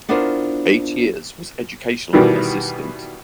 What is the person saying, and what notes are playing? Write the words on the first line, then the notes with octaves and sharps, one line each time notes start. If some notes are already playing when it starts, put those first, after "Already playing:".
Eight years was educational assistant.
B3 D4 E4 F4 A#4 C5
B2 D#3 E3 G3